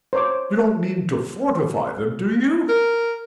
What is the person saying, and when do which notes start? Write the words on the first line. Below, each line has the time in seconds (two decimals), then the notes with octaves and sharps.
You don't mean to fortify them, do you?'
0.13 C5 C#5 D6
2.69 A#4